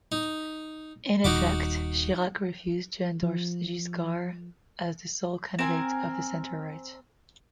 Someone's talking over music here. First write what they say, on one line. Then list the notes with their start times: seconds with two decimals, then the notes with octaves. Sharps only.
In effect, Chirac refused to endorse Giscard as the sole candidate of the centre-right.
0.12 D#4
1.24 D#1 D#4 F#4 D6
3.23 F3
5.59 C4 A#4 G#5